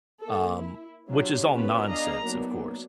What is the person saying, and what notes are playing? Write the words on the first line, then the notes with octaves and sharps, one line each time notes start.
um, which is all nonsense, of course.
A#3 A4
E4
F3 F#3 C#4 D4 F4 G4
B3 C#4 F4 F#4 A#4 B4
B3 D4 G#4 D#5 F5 A#5
F#3 A#3 B3 D4 D#4